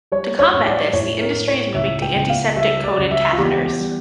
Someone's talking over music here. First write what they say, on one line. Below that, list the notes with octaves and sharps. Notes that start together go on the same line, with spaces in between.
To combat this, the industry is moving to antiseptic coated catheters.
G3 C#5
C#5
A2
D5
A2 C#5
A#4
A2
C#5
C#2 E5
G5
C#2
F5
G3 E5
D5
C#2
E5
F4
E2 G4
G4
G3